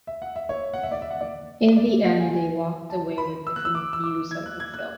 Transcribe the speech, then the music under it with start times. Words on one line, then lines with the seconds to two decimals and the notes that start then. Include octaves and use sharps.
In the end, they walked away with different views of the film.
0.07 E5
0.22 F#5
0.36 E5
0.49 C#5
0.74 F#5
0.83 E5
0.92 D5
1.02 E5
1.10 F#5
1.21 D5
1.77 D5
1.91 E5
2.05 F#5
2.19 G#5
2.34 G#5
2.90 A5
3.18 B5
3.47 E6
3.56 F#6
3.65 E6
3.75 D6
3.93 E6
4.03 D6
4.31 G#6
4.46 F#6
4.60 G#6
4.74 F#6